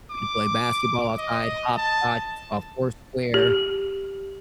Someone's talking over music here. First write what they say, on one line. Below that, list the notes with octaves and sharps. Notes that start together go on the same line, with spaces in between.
We'd play basketball outside, hopscotch, uh, foursquare.
D6
D#5
A5
G4